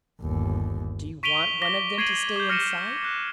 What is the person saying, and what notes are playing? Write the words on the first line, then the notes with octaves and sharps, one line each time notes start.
Do you want one of them to stay inside?
G1 D#2
C#6 B6 D7 D#7 F7 G7
D6 A#6 B6 G7
C#6 G#6 C7 D7 D#7 F#7
D6 G6
C#6 F6 A#6 C#7 D#7 E7
F#6